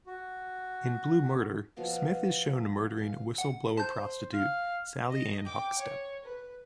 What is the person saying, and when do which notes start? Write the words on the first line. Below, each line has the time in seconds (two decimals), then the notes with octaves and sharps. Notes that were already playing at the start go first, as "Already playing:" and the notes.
In "Blue Murder", Smith is shown murdering whistle-blower prostitute Sallie-Anne Huckstepp.
0.07 F#4
1.76 B2 F3 F#4 F5
2.99 F5
3.38 F#5
3.77 C5 A5 G6
4.34 F5
5.10 D#5
5.45 G5 D6
5.78 C#5
6.24 B4